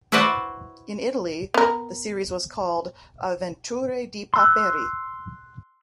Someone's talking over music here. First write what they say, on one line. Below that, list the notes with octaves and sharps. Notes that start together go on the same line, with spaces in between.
In Italy, the series was called "Avventure di paperi".
E4 F#4 B4 C5 D5 F#5
B3 A#4
C6 E6 F#6